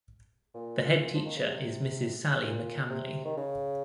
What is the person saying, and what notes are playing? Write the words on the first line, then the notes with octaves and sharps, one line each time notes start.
The Head Teacher is Mrs Sally McCamley.
A#2
F3
D#3
C#3
C3
A#2
C3
D#3
C#3